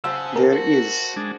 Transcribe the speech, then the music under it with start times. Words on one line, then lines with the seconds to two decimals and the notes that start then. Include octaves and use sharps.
There is.
0.04 C#3 C5 F#5 A5 E6
0.36 A#4
0.53 F#4
1.16 G#3 D4